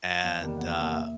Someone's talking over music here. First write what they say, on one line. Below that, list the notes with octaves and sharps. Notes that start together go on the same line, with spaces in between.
and, uh,
E2 F5
C3 D#3 G3 A#3
E2 F#5
C3 D#3 G3 A#3
A#2 E5